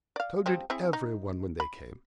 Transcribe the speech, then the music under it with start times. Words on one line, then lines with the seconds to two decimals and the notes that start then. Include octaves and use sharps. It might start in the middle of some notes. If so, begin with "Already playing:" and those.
So did every one when they came.
0.16 D5 F5
0.46 F3 G3 C4
0.70 C4 E4 G#4
0.93 D#4
1.60 B5